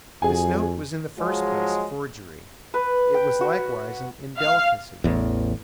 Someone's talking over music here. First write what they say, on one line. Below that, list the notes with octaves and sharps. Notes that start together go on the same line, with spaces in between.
This note was in the first place a forgery; it was likewise an indelicacy.
F2 F#4 G#4 G#5
F3 F#3 G#3
B4
G5
F#4
F5
A1 E2